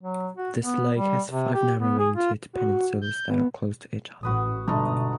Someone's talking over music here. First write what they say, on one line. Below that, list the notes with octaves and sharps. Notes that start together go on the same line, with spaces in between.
This lake has five narrowing due to peninsulas that are close to each other.
F#3
F#4
B3
G3
C3
G4
B3
G#4
F4
F#4
G6
B3
A1 F#4 B4 D#6
G1 G#2 B2 A3 D#5 A5 A#5